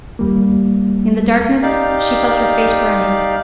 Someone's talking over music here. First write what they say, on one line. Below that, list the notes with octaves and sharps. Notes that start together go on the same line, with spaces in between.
In the darkness she felt her face burning.
D#2 G3 A#3
D#4 G4 D5 F5